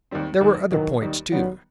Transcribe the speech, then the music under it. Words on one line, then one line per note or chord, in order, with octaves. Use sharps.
There were other points, too.
D#2 D#3 G3 C4
D#2 D#3 F#3 A3
E2 B2 D#3 F#3
D#2 D#3 G3 D#4
D#3 F#3 G3 B3